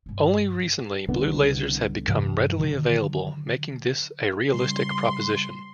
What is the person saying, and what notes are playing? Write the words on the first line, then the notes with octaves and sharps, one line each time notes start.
Only recently blue lasers have become readily available making this a realistic proposition.
G2 B2
C2 D3 B3
G2 C3 E3 G3
D3 D#3 F#3
C#3 G3 C6